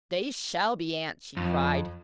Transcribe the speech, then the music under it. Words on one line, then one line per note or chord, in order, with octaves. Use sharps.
"They shall be, aunt!" she cried.
F2